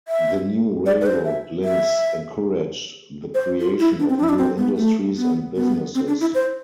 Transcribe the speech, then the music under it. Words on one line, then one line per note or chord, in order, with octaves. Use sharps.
The new railroad links encouraged the creation of new industries and businesses.
E5
D5
B4
C5
E5
E5
C5
F4
E4
D4
C4
D4
E4
D4
C4
B3
A3
B3
B3
C4
D4
E4
C5